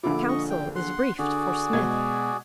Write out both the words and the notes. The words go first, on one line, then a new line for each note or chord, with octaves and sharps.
Counsel is briefed for Smith.
A#1 D3 E4 F4 D6
D#5 C#6
G5
F#5 C6
D3 F#4 G#4 D5
B2 G#3 G#6